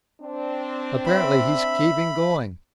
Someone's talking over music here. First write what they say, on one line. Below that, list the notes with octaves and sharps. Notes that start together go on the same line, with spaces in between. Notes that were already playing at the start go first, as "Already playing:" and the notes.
Apparently he's keeping going.
C4 D4
E5 B5